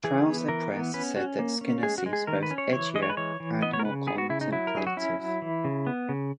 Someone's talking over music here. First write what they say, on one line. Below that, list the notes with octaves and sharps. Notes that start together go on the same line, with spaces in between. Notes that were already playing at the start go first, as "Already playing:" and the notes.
Trouser Press said that Skinner seems both edgier and more contemplative.
E3 G#4
B3
E3 A#4
B3
C#4 B4
C#4 F#4
A#3
C#4
G#3 G#4
F#4
G#3
G#4
D#3 A#4
B4
C#4
C#5
E3 C#5
G#3 D#5
C#5
B4
E3 C#5
E3
B3 D#5
C#5
A#4
C#3 B4
B3 G#4
F#4
C#3 E4
D#4
F#3 E4
A#4
F#3 G#4
F#4
C#4 E4
F#3
E3
C#3
B3
C#3